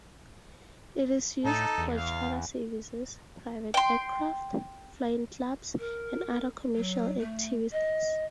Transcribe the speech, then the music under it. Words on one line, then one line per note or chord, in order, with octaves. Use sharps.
It is used for charter services, private aircraft, flying clubs, and other commercial activities.
A2 D#4 A4
E2
F5
G5 C6
A#4
F#3
A3
D#5